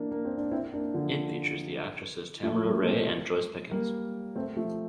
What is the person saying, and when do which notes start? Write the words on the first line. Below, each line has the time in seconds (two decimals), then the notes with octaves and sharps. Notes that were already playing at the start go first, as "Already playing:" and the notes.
It features the actresses Tamara Rey and Joyce Pickens.
Already playing: E3 A#3 D4
0.11 A#3
0.25 C4
0.38 D4
0.51 C4 E4
0.73 A#3 D4
0.94 D3 F3
2.43 F3 A3
2.64 G3 A#3
2.86 A3 C4
3.71 G3 A#3
4.36 A3 C4
4.57 F3 A3